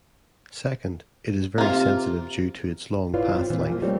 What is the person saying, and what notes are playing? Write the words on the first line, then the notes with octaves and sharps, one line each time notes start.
Second, it is very sensitive due to its long pathlength.
C3 A#3 F4
E4 F4 B4 C#5 D5 F5
C4 F4
A#2 E3
F3 A#3 F4
G3 A3 A#3 C4 C5 C#5